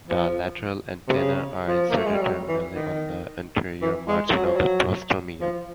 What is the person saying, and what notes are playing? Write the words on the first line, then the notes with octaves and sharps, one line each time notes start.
The lateral antennae are inserted terminally on the anterior margin of the prostomium.
F3
C3
C#3
F3
A#3
A3
G#3
G3
F#3
E3
D#3
E3
G#3
F#3
F3
F#3
F3